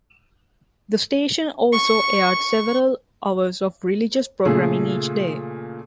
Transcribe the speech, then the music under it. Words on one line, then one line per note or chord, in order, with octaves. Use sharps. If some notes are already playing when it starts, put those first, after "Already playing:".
The station also aired several hours of religious programming each day.
C#6
A#2 C#3 A3 G#4 A4